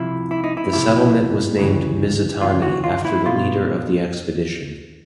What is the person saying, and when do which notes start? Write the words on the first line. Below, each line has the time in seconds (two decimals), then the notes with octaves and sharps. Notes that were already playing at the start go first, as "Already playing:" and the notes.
The settlement was named "Mizutani" after the leader of the expedition.
Already playing: C2 C3 F3 E4
0.31 E4
0.44 D#4
0.57 E4
0.73 C2 C3 F3 E4
1.58 D2 C#3 E3
2.41 D2 C#3 E3 F4
2.62 F#4
2.84 F4
3.05 E4
3.26 B2 F4